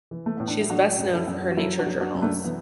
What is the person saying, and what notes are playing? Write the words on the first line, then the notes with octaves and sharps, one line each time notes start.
She is best known for her nature journals.
E3
A3
A2 B3
D4
E4
F#3 D4 F#4
F#2
B4
E4 A4
F#2
F#4
F#3 E4 A4
D4 F#4
F#3
D4 F#4
F#2
A3 D4
E3 B3